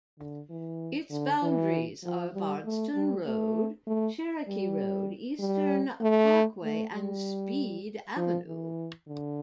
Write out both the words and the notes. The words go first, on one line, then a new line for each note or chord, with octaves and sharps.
Its boundaries are Bardstown Road, Cherokee Road, Eastern Parkway and Speed Avenue.
D3
E3
D3
E3
F3
G3
A3
G3
A3
A3
G3
G3
A3
A3
G3
F3
E3
D3